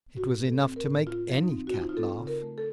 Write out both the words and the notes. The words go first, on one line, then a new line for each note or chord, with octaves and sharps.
It was enough to make any cat laugh.
A2 F#4
A3
A4
C4
A#4
A2
C3 F4
F3
D#4
C4
F#4
C3 F4
D#4
F4
C4 A4
C#3
A#4
A3
A4